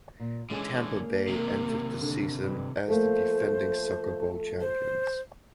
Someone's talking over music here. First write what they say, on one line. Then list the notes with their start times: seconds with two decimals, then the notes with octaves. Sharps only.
Tampa Bay entered the season as the defending Soccer Bowl champions.
0.20 A#2
0.50 D3 E3 G#3 C#4 G#4
0.94 A#3
1.28 C3 D#3
2.00 D3
2.43 G2
2.88 F3 A3 A#3 A4 C5
4.61 C5